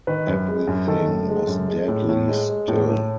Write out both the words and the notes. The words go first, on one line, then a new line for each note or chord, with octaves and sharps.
Everything was deadly still.
D#3 B4
F#2
G#3
F#2
D#3 A4
F#2
G#3
F#2
G#3
A2
A2
G#3
G#3
A2
A2